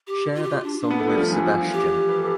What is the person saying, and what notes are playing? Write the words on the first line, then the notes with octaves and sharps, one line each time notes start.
Share that song with Sebastian.
G4
F4
G4
F4
D4
D4
B3
A3
G3
F3
E3
F3
G4
B4
A4